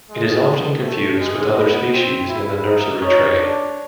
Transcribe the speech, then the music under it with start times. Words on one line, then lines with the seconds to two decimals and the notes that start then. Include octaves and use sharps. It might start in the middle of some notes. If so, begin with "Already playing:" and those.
It is often confused with other species in the nursery trade.
0.10 G#3
0.83 A3
1.19 G#3
1.55 B3 D#5
1.92 C4
2.29 E4
2.65 D#4
3.01 D#4 C#5
3.38 D4